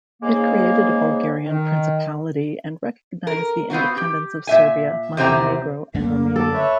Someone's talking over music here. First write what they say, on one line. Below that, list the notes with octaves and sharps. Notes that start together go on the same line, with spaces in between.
It created a Bulgarian principality and recognized the independence of Serbia, Montenegro, and Romania.
G#2 C#3 G#3 A#3
D#3
A#4
B3 C4 F4 F#4
G4
A#2 E5 G#5
E2 C3 C4 A#5
F#2 A3 A#3
A4 D6
B4 C#5 E5